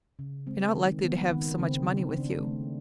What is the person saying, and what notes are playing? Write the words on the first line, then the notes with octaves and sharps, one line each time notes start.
You're not likely to have so much money with you.
C#3
G#3 C4
D#3
D#3 B3
D#3
C#3 C4
C#3
C#3 D4
A3